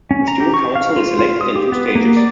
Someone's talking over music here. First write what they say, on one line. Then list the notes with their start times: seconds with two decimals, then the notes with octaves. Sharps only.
The Student Council is elected in two stages.
0.11 C#4
0.28 A#5
0.40 G4
0.54 C#6
0.75 F5
0.96 F4
1.19 F4
1.41 D#6
1.56 G4
1.72 B3
1.95 A#3
2.17 D5